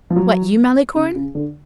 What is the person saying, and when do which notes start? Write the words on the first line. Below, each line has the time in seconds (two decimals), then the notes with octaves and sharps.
"What, you, Malicorne?"
0.10 F3
0.16 F#3
0.95 C#3
1.16 C#3
1.35 D3